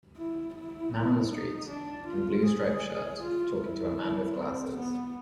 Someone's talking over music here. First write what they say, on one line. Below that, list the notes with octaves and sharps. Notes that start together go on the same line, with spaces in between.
Man on the street, in blue striped shirt, talking to a man with glasses.
E4
E4
D#4
D4
F4
G#4
F4
E4
C4
B3